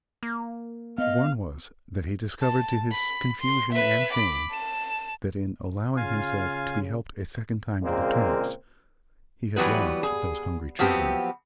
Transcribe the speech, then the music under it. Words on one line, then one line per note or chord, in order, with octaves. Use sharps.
One was, that he discovered, to his confusion and shame, that in allowing himself to be helped a second time to the turnips, he had robbed those hungry children.
A#3
B3 D#5 F5
A5
B5
C6
B4 E5
B5 D6
A5 E7
C#3 F4 F5 G#5
A#2 C#3 G#3 A#3 C4
E3 F#3 G3 B3 B4
G#4
F3 F#3 B3 C4 G4